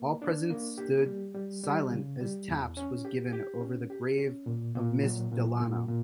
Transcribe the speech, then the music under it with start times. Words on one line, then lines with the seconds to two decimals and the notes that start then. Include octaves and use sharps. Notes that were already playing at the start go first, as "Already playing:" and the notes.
All present stood silent as "taps" was given over the grave of Miss Delano.
Already playing: A#3
0.22 D4
0.50 A#3
0.78 G4
1.06 G3
1.35 G3
1.64 G3
1.91 C#3
2.20 G3
2.48 E2
2.77 C#4
3.05 G4
3.33 G4
3.61 C#4
3.90 G4
4.18 C#4
4.46 A#2
4.75 A#2
5.03 F#3
5.32 A#2
5.60 A#2
5.88 A#2